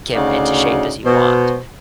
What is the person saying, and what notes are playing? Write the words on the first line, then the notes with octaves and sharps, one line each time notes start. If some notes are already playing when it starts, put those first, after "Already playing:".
get into shape as you want.
D2 C#3 D#4 F#4 D5 F5
B2 C5